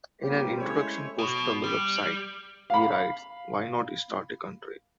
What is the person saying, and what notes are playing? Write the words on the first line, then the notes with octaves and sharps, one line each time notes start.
In an introduction posted on the website, he writes, Why not start a country?
G3 A#3 C4 F4 G4
G#3 A3 C#4 E4 C5 C#5
B2
G3
F5 B5